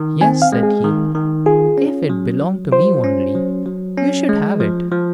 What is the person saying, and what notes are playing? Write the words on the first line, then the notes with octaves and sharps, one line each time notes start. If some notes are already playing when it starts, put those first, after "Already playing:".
"Yes," said he, "if it belonged to me only, you should have it."
Already playing: D#3
C4 G#5
F5
G#3
G#4
D#3
D#3
F4 G#4
C#4
F#3
F#3
F4 C5
C#4
F#3
F#3
C#4
G#3
F3
F3